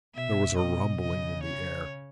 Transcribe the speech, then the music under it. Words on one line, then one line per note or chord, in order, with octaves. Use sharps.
There was a rumbling in the air.
B2 E5
B2 D#5
C#3 D#5
C#5